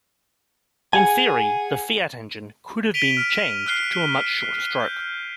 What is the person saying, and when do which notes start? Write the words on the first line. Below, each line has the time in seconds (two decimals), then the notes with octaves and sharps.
In theory, the Fiat engine could have been changed to a much shorter stroke.
0.93 G#4 F#5 G#5
2.94 B6 D7 D#7 F7 G7
3.17 F6
3.66 F6 F#6 C7
4.80 G6